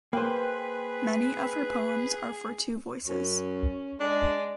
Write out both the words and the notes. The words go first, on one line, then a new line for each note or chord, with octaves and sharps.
Many of her poems are for two voices.
A#3 G#4 B4 C5 G5 C6
F#2 C#4
G#3 D4 D5